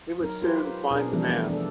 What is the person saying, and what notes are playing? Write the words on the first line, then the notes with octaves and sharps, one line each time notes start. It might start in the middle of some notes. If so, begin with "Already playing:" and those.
He would soon find the man.
F#3 D#4 A#4
F4 G4 B4 C5
B2 D4 G#4 A#4
E3 F3 G3 A3 D4
B3
D4 A4